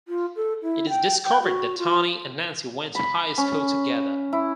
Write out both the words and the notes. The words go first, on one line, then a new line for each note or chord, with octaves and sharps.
It is discovered that Tony and Nancy went to high school together.
F4
A4
E4
G5
G5
F#4
F4
B5
C#4
E4